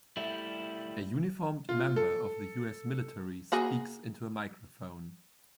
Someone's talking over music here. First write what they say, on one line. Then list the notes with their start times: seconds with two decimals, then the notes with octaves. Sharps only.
A uniformed member of the U.S. military speaks into a microphone.
0.17 G3 A3 E4
1.69 F4
1.96 A4
3.52 A#3 F#4 G#4